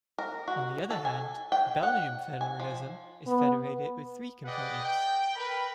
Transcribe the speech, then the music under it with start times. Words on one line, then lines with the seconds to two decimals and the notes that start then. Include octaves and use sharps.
On the other hand, Belgian federalism is federated with three components.
0.18 A#4
0.48 F#4
0.90 A4
1.05 G#5
1.52 G5
1.83 F#5
2.41 G#5
2.60 F3
3.27 B3
4.44 G#4 B4 D5 D#5 F#5 G5
4.83 G5
5.36 A#4 B4 B5